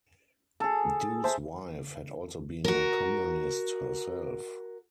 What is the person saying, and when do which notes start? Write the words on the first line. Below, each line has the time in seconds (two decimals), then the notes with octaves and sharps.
Du's wife had also been a Communist herself.
0.60 G#4 A4
1.24 C5 E5 A5
2.64 F#4 A#4